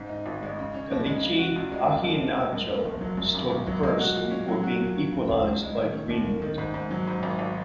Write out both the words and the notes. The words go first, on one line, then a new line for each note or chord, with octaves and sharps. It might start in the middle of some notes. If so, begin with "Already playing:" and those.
Kelechi Iheanacho stroke first before being equalised by Greenwood.
Already playing: G#2 C#3
D#4
G#1
G#3
C#3
C#4
D#2
G#3
C#3
F#4
C#2
G#3
C#3
D#2
D#2
G#3
F#2
A#3
F#1
F#3
F#2
G#1
G#1
F#3
G#3
F#4
A#2
C#4
F#3
F#4
A#2
C#4
C#3
C#2
C#2
G#3
D#3
C#4
D#2
A#3
D#3
G#2
G#2
F#3
G#2
G#1
G#1